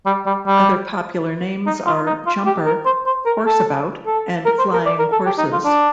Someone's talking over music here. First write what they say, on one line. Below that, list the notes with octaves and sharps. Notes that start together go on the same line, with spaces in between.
Other popular names are jumper, horseabout and flying horses.
G3
G3
G3
D#4
F4
D#4
F4
G4
A#4
C5
C5
A#4
A4
A4
A#4
C5
A#4
D5
A#4
A4
G4
D#4
F4
D4